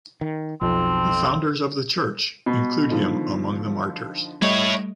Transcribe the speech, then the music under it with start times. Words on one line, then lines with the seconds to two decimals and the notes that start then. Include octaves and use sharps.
The founders of the Church include him among the martyrs.
0.21 D#3
0.61 B1 F2 C4
2.46 B2
2.89 D3 D#3 F3
4.42 G3 A3 E4 C#5 D#5